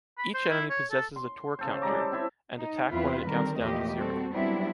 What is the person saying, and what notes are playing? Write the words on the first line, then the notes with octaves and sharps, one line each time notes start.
Each enemy possesses a tour counter, and attack when it counts down to zero.
B5
C5
E4
C#5
A4
C6
C#3 A4 C5
G3 G#3 A#5 D6
A4
C4 E4 E5
D#4
E2 C4 E4 F4 B4
D3 D#3 G3 C4 A#4
E2 A#2 F3 A3 G4 D#5
G3 C4 F#4 A4
F#3 G3 B3 C4 D4 E4